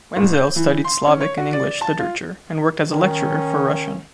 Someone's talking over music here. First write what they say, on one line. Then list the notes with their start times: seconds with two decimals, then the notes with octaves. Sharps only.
Wenzel studied Slavic and English literature and worked as a lecturer for Russian.
0.16 A1
0.33 G6
0.56 E3
0.84 C6
1.07 C#4
1.21 C#5
1.38 F#4
1.53 D5
1.81 A5
1.99 F4
2.88 D#3 C#4